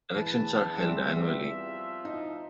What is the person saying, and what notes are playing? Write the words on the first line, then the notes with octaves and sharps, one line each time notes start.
Elections are held annually.
E2 E3 B4 A5
G3 C4 E5 E7
F3
D#4 E4